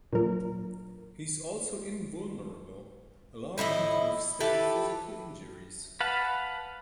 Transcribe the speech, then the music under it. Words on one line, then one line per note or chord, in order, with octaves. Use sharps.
He's also invulnerable, allowing him to withstand physical injuries.
A#2 F#3 D4 A#4
A2 E4 G4 D#5
E4 G4 A4 B4
B4 F5 F#5 A5